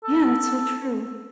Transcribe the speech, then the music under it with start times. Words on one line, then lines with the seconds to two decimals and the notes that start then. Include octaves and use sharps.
Yeah, that's so true.
0.04 A4